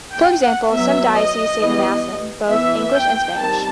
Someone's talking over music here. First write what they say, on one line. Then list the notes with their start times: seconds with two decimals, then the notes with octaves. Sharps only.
For example, some dioceses say the Mass in both English and Spanish.
0.12 G5
0.42 F#5
0.71 F#3 B3 E5
1.15 D#5
1.60 E3 G3 B3
2.49 E3 B3 E5
2.93 G5
3.38 D#3 G3 C4 A5